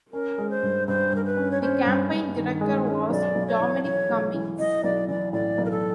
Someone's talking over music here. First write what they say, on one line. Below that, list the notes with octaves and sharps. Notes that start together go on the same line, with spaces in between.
The campaign director was Dominic Cummings.
C#4 A#4
G#3
C5
G2
G2 C5
G2 A#4
B4
C#4
C#5
C#4 C5
G2
G2
D#3
G#3
C#4
B1 D5
B1
C#5
E3
E3 C#5
B1
E3
E3 D#5
B1 D5
E3 D5
A2 D5
B1
A#4
A4